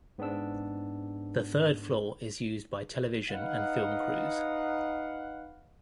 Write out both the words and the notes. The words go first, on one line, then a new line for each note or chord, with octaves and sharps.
The third floor is used by television and film crews.
G#2 B3 C4 D4 E6
D#4 B4 F5 F#5